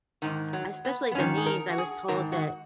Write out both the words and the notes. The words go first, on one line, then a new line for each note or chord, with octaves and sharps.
Especially the knees, I was told that
G#2 D#3
F#3
B3
B3
G#2 D#3 C#4
G#4
A#4
F#4
G#4
G#2 D#3 A#4
F#4